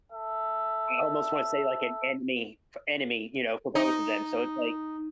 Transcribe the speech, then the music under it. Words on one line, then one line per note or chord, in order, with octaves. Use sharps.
I almost wanna say like an enemy, f enemy, you know, for both of them, so it's like
A4 E5
D#4